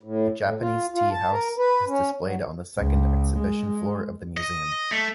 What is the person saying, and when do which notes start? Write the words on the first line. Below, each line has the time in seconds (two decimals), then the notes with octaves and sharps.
A Japanese tea house is displayed on the second exhibition floor of the museum.
0.03 A2
0.42 A2
0.60 F4
0.94 F4
1.12 A5
1.32 A#4
1.58 B4
1.88 C#4
2.23 F#3
2.79 C#2
3.39 G#3
4.37 D#5
4.91 A3